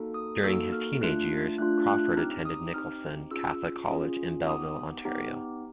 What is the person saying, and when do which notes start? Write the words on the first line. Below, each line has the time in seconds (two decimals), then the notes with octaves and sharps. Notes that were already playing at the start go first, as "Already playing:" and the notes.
During his teenage years, Crawford attended Nicholson Catholic College in Belleville, Ontario.
Already playing: A#3 D#4 F#4 A4
0.14 D#6
0.44 A#3 D#4 F#4 A4 E6
0.72 F6
1.01 A3 D4 F4 F#6
1.58 A3 D4 F4 F#6
1.87 F#6
2.16 C4 D#4 G4 F6
2.45 D#6
2.74 C4 D#4 G4 F6
3.31 C#4 F4 G#4 E6
3.89 C#4 F4 G#4
4.47 B3 D#4 G4 D#6
5.05 B3 D#4 G4